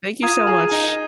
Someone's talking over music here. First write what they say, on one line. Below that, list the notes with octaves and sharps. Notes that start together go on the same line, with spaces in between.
Thank you so much.
F4 A#5 D#6 G#6 D#7
A#4
G#4
D#4